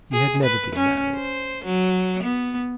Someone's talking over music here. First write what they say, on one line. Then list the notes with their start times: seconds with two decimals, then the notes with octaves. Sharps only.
He had never been married.
0.12 G#4
0.44 B4
0.75 C#4
1.15 C5
1.65 F#3
2.24 B3